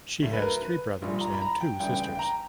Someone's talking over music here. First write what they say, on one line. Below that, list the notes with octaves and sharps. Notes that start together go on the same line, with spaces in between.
She has three brothers and two sisters.
D2 D3 F#3
B4
A#4
B4
A#1 A#2 G3
A#5
B5
A#5
G5
D2 C#3 E3 G3 G5
G5
G5
A#5